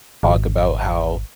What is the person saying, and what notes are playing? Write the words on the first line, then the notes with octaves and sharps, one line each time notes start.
talk about how
G#1